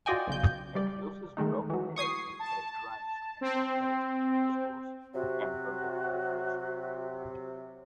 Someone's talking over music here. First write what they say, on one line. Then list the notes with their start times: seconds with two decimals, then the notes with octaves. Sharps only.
Atrios' blogging has been characterized as encouraging discourse and public deliberation.
0.06 F4 F#4 D5 D#5 G5 G#5
0.27 B1 C#3 G6
0.75 G3 D5
1.37 D#3 G#3 A3 D#4
1.70 E3 F#3
1.96 C#6 D#6 G#6 C7
2.39 A5
3.41 C4
5.14 C3 F#3 F#4